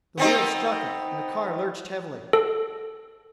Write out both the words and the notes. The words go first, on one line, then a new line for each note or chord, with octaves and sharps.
The wheels struck it, and the car lurched heavily....
B3 C4 D#4
A4